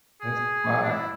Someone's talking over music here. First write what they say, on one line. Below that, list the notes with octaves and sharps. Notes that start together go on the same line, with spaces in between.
That's wild.
G#4
D4
E4